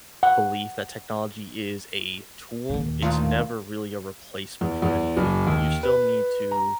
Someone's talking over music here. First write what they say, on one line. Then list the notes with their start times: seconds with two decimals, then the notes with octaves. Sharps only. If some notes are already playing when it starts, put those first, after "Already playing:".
belief that technology is a tool, it's never really a replacement for anything, you still need to,
0.23 F#5
2.69 D#2 A#2
3.02 D2 D#3 F4
4.61 E2
4.82 E2
5.17 F#1
5.47 D#2
5.83 B4
6.51 A#5